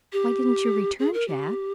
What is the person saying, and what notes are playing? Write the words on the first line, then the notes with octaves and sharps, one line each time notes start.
Why didn't you return, Jack?
G4
G#4
A#4
G4